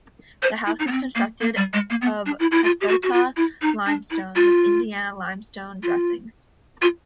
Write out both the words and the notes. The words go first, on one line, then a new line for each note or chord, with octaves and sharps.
The house is constructed of Kasota limestone, with Indiana limestone dressings.
C5
E4
D#4
B3
C4
A#3
A#3
G3
G#3
A#3
B3
D4
E4
E4
F4
G4
F#4
F#4
F4
E4
D#4
D4
E4
F4
F4
F4